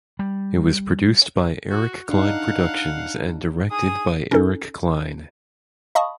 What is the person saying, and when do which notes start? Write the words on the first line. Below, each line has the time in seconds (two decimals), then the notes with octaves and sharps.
It was produced by Eric Kline Productions and directed by Eric Kline.
0.19 G3
1.70 F#4
2.09 D4 D#4 F5 F#5
3.71 G#4 D#6
4.31 C#4 D#4 A4
5.95 D#5 F5 A5 B5 C#6 D#6